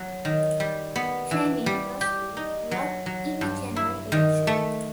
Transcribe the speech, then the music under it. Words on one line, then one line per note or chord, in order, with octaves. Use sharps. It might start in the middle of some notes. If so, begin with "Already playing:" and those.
Fleming lost to Lott in the general election.
Already playing: F#3
D#3
G3
B3
E3
G3
G4
D#4
F#3
F#3
G2
E4
D#3
A3